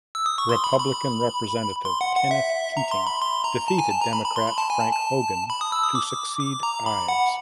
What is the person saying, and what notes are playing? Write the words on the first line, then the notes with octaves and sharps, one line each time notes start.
Republican Representative Kenneth Keating defeated Democrat Frank Hogan to succeed Ives.
E6
D#6
C#6
C6
B5
B5
C6
F#5
F#5
E5
A#5
C6
B5
C6
A#5
A5
G#5
A5
A#5
B5
B5
C6
B5
A5
G#5
A5
A5
B5
D#6
E6
D#6
D6
D6
A#5
B5
F#5